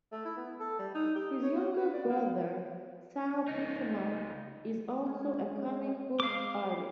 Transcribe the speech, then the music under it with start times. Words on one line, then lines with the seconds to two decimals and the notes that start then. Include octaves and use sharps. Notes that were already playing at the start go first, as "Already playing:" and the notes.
His younger brother Sal Buscema is also a comic book artist.
0.12 A3
0.25 E4
0.37 B3
0.60 A4
0.79 G3
0.95 D#4
1.15 G4
1.42 C#5
1.56 F#4
1.77 B4
1.93 D5
2.09 A#3
3.48 C#2 D#4
5.07 G#3 C#4
6.20 G#3 F5 D6